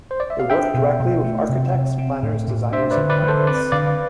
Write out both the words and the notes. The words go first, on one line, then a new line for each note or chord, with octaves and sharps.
It worked directly with architects, planners, designers and clients.
C5
D5
E5
F5
D4 E5 G5
B2
B2
A3
C3
C3
C4
A2
A2
D4 C5 E5
B4 D5
D3
B4 D5
D3
A4 C5
C4 B4 D5
D3 D5 F5